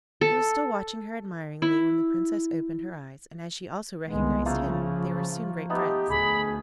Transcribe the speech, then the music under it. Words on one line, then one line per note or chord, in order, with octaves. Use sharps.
He was still watching her admiringly when the Princess opened her eyes, and as she also recognised him they were soon great friends.
A4
E4
C2 D#3 G#3 B3
C#3 F3 A3 A#3 F4
A3 B3 D#4 G4
D2 G#4 B5